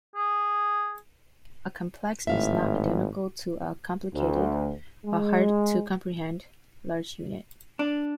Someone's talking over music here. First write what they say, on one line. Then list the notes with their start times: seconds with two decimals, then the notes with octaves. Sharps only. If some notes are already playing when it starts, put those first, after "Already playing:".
A 'complex' is not identical to a 'complicated, a hard-to-comprehend, large unit.
0.16 G#4
2.27 G#1 A2 E5 F5
4.14 D2
5.05 G#3
7.79 D4